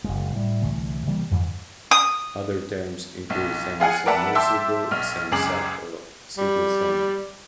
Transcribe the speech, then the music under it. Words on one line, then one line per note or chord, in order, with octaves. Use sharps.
Other terms include "semi-submersible", "semi-sub", or simply "semi".
F#1 G#3
A2 G3
C2 D3 E3 A3
C3 E3 G3 A#3
F2 G#2 D3 E3
D#6
B1
F4 G#4 F#5 G#5
A#4 B4 D5 E5 F#5 A5
E5 G5 A5 C6 D6 E6
B1 F6
C#2 F#2 G#4 D6 F#7
G3